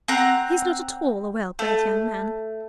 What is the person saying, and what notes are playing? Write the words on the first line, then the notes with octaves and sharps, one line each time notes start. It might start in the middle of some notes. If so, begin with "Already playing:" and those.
He is not at all a well-bred young man.
C4 F#5 A#5
A3